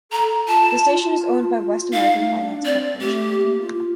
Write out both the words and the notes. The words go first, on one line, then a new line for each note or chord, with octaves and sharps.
The station is owned by West American Finance Corporation.
A4 A#5
F4 A5
D#4 F5
A3
D4
C4 D5
A3 G4
C4
A#3
F4
F4